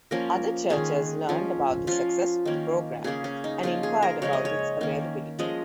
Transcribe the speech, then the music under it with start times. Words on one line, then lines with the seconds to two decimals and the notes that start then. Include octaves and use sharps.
Other churches learned about the success of the program and inquired about its availability.
0.11 F3 A#3 C#4 A#4
0.70 D#3 G#3 C#4 G#4
1.29 F3 C#4
1.87 F3 C#4 F4
2.45 D#3 A#3 C#4
3.04 C#3 A#3 C#4 G#4
3.24 C#4
3.44 D#4
3.63 F3 A#3 C#4 F4
3.83 G#4
4.02 A#4
4.22 C#3 G#3 C#4 C#5
4.33 D#5
4.45 C#5
4.81 D#3 A#3 C#4
5.39 F3 G#3 C#4 D#5